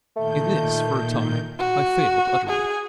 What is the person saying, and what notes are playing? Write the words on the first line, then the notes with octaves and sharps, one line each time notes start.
In this, for a time, I failed utterly.
A#2 D#3 A3 G6
F#4
G#4